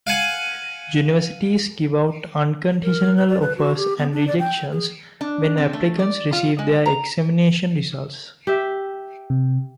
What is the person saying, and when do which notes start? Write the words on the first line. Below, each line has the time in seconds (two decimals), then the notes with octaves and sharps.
Universities give out unconditional offers and rejections when applicants receive their examination results.
0.07 F5 F#5 G#5
2.83 A#4
3.17 B4
3.29 D5
3.41 B4
3.57 F#4
3.76 G4
3.98 B3
4.12 D4
4.27 D5
4.39 G5
4.72 G#4
5.21 D4
5.58 C4
5.73 A3
5.99 D5
6.33 F4
6.59 G#3
6.86 A#5
8.47 G4 E5
9.30 C3